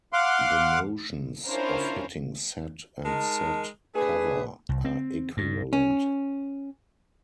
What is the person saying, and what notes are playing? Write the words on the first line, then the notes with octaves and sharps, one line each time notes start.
The notions of hitting set and set cover are equivalent.
F5 F#5 C6 D6
C#4 D4 E4 F4 A#4 C5
G#3 D#4 A#4 A5
A3 D4 G#4 B4
C2
C4
G2
C#4